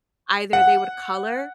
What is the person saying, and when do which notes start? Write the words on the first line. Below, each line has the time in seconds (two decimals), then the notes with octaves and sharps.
either they would color
0.53 F#5